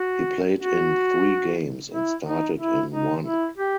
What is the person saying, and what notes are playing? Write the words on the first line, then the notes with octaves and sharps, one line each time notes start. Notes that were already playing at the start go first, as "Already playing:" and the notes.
He played in three games and started in one.
Already playing: F#4
F#4
E4
D#4
E4
D#4
E4
G4